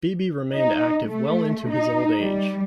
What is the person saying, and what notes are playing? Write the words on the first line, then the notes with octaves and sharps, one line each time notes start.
Beebe remained active well into his old age.
D#4
A3
D#4
G3